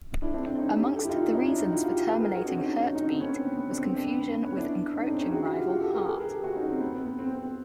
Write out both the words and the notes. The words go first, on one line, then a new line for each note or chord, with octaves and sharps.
Amongst the reasons for terminating HertBeat was confusion with encroaching rival Heart.
D4 E4
C4 D4
C4 D4
C#4 D#4
G4 A4
G4 A4
E4
D#4 F4
D4 E4
C#4 D#4
D4 E4
D#4 F4
E4 F#4
F4 G4
A4 B4
G#4 A#4
F#4 G#4
C4 D4
C#4 D#4
C#4 D#4
C#4 D#4
C4 D4
B3 C#4
C4
B3
B3
C4 D4
C4
C4 D4
B3
B3
B3
B3 C#4
D4 E4
C#4 D#4
C4 D4
C#4 D#4
F#4 G#4
E4 F#4
F4 G4
F#4 G#4
G4 A4
G#4 A#4
A4 B4
G#4 A#4
G4 A4
F#4 G#4
C#4 D#4
C4
B3
C4
B3
C4
C4
C4